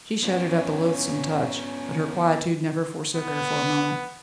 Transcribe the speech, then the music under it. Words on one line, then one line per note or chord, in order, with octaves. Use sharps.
She shuddered at the loathsome touch, but her quietude never forsook her for a moment.
B3 C#4 F4
B3